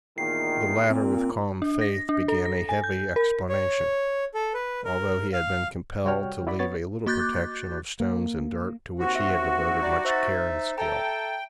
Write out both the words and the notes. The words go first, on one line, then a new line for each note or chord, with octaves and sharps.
The latter with calm faith began a heavy explanation, although he had been compelled to leave a little protection of stones and dirt to which he had devoted much care and skill.
E2 A#2 D#3 C7
A#2 C4
D4
A#6
D4
A4
A#6
G#5
G6
A#4
C#5
A4
B4
A#4
F5
C2 G3 F#4 C#5 G5 F6
E4 F#4 D5 B5
B3 C#5 A6
A#3 F#4 D6 F#6 G6 A6
A#3
D#2 C4 F#4
E5
G3 D#4 D5
D#4 C5 E5 A6
A4 E5 G5 A5 A#5